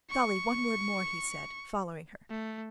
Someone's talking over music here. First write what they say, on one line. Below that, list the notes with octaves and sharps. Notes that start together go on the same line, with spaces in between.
"Dolly, one word more," he said, following her.
C#6
A3